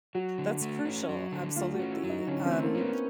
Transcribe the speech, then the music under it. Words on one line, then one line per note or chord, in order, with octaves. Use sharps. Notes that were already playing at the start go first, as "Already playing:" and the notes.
that's crucial, absolutely, um,
F#3 F#4
D3
A3
C#4
F#3
D3
A3 F4
F#4
C#4
E4
F#3
D#4
D3 C#4
C4
A3
A#3
C#4
B3